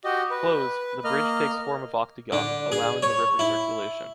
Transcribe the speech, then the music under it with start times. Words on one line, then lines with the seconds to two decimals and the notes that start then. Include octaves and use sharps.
Closed, the bridge takes form of octagon, allowing the river circulation.
0.05 F#4 G4 D#5
0.31 B4
1.04 A#3 D#5 F6
2.32 D3
2.72 G#4
3.03 C#5
3.39 E4